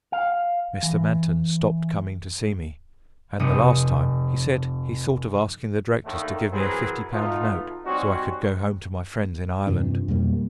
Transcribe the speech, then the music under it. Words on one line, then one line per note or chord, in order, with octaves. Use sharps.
Mr. Manton stopped coming to see me; and the last time, he said he thought of asking the directors to give me a fifty-pound note, so I could go home to my friends in Ireland.
F5
E3
F1 C3 C4 D#6 C#7
D#2 D3 D#3 A3
E3 F#3 B3 C4 G#4 A#4
B2 A3 D#4 F4
G3 C4 C#4 D#4 F#4
G2 C3 F3 D4
F2 B2 G3 A#3